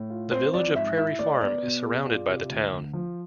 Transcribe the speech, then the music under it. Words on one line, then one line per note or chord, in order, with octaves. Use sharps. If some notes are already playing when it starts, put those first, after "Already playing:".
The village of Prairie Farm is surrounded by the town.
Already playing: A2
F4
C4 C5
F3 D5
G#2 E5
E4 E5
A3 D5
B3 D5
B2
G#4
F4
C3
D2
D2
F3